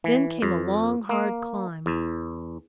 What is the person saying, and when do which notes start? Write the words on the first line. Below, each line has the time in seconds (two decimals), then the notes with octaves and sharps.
Then came a long, hard climb.
0.04 E3
0.42 F2
1.09 A#3
1.86 E2